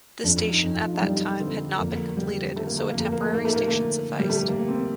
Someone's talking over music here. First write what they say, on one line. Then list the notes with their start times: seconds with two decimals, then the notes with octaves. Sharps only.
The station at that time had not been completed so a temporary station sufficed.
0.24 F2 D4
0.49 D#4
0.63 F2
0.75 F4
0.94 D4
1.01 G3 D#4
1.40 D3 C4
1.78 F2 A#3
2.17 D3 G3
2.56 D3 A3
2.67 A#3
2.78 A3
2.89 A#3
2.95 F2
3.00 A3
3.12 A#3
3.22 A3
3.33 A#3 D#4
3.45 A3
3.56 A#3
3.68 D3 A3
4.10 D3
4.19 G3
4.30 A3
4.48 D3 A#3
4.68 C4